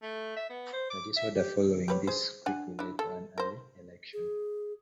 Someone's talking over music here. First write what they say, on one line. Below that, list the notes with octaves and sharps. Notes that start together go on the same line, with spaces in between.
The disorder following this quickly led to an early election.
A3
E5
B3
C5
D6
E5
G4
G4 B4 C#5
G#4 C5
D4 F#5 G#5
D4 E4
A4
A#4 C5
G#4